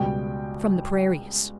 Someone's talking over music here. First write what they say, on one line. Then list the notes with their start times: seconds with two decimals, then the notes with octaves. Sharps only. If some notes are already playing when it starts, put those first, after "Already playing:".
From the prairies.
Already playing: C#2 B2 G3 G5